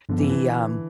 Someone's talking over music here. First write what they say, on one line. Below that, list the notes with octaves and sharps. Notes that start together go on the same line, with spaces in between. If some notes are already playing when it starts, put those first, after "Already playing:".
the, um
G2 D3 F3 B3
E3
E3